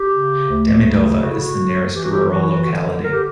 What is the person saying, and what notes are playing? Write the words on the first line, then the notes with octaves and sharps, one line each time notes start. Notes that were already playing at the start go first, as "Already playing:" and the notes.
Demidova is the nearest rural locality.
Already playing: G4
C#3
D2
C#3
D3 F#4
E4
F#4
D3
E3 G4
F#4
G4
E3 F#4
E4
F#4
D3
D3 A#4
G4